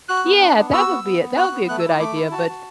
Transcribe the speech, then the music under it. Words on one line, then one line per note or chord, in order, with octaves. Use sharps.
Yeah, that would be that would be a good idea, but
F#4 F#6
B3
D4
B3
F#4 E6
B3
B3
B3
F#4 F#6
B3
A3 F#6
E6
E4 D6
A3 D6
E4
F#4 A5
F#4